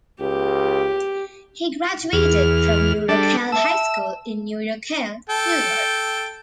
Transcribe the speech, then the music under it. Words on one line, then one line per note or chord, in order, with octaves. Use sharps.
He graduated from New Rochelle High School, in New Rochelle, New York.
C#2 G4
E2 G#4 F6
G3 D4 A4
E5 A5 E6
A4 G5